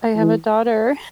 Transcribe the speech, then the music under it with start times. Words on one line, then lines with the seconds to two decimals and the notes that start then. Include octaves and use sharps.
I have a daughter
0.17 E3